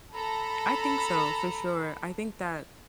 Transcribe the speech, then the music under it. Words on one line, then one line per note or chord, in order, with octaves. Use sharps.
I think so for sure, I think that
A4 A#5 B5